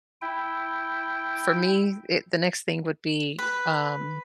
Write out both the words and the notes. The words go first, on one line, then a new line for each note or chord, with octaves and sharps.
for me e the next thing would be, um
E4 G5
B4